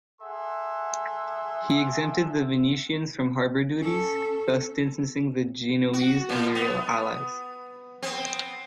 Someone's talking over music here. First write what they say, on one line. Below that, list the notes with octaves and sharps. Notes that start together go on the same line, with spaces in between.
He exempted the Venetians from harbour duties, thus distancing the Genoese and their allies.
G#4 A4 E5 F#5 C6
C#4 A4
F#4
A2
B3
B3 C4